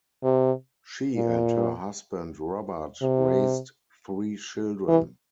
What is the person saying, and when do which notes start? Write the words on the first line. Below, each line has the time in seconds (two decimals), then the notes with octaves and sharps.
She and her husband Robert raised three children.
0.24 C3
1.16 A#2
3.02 C3
4.88 E3